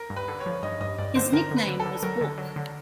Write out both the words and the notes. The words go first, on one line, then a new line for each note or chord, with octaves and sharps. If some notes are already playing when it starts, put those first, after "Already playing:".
His nickname was "Book".
Already playing: A#4
G2
B4
D3
C#5
F3
G2 D#5
G2 D#5
G2 D5
D3 C5
D3 A#4
D3
B4
D3
A4
D3
F#3 A#4
D3
F#3
D3